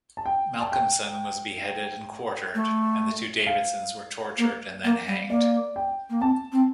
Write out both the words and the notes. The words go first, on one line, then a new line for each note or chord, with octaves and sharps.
Malcolmson was beheaded and quartered and the two Davidsons were tortured and then hanged.
A5
G5
A5
G5
A3
F5
A#3
A#3
G3
A#3 D5
G5
A#3
C4 A5
C4